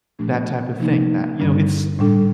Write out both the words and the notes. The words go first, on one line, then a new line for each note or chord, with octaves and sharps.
that type of thing, that, you know, it's
A#2 F3 A3 D4 G4
C3 F3 A#3 D#4
G2 D3 G3 D4
A2 G3 D4 A4